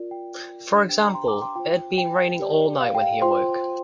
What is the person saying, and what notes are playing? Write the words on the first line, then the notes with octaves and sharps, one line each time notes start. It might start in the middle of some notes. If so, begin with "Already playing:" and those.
For example: It had been raining all night when he awoke.
Already playing: F4 A#4 D5
G5
D4 G4 C5
G5
A#5
G5 C6
A#5 D6
G5 C6
F4 C5 G5
G5
G4 D5
F5
G5
F5
F4 C5 G5 C6